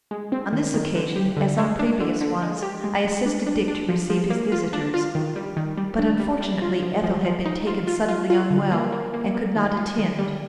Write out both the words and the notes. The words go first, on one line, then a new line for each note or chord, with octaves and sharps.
On this occasion, as on previous ones, I assisted Dick to receive his visitors, but unfortunately Ethel had been taken suddenly unwell, and could not attend.
G#3
C4
D#3
D#3
D3
G4
D3
G#3
D4
D3
D3
G#3
G4
G#3
G#3
D4
D4
D4
F3
F3
A#3
F4
D4
F4
D#3
G3
D#3
G3
D4
G3
G3
F4
F3
F3
F3
D#4
F4
F4
F4
F4
D3
A#3
A#3
A#3
A#3
D#3
F4
D#3
G3